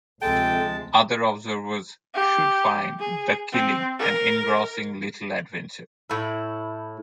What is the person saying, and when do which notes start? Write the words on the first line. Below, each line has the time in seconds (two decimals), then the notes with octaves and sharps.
Other observers should find "The Killing" an engrossing little adventure.
0.22 D2 C3 F3 G#3 A4 G5 A5
2.14 G4
3.00 G#4
3.52 C4
3.99 A#4
6.10 A2 E4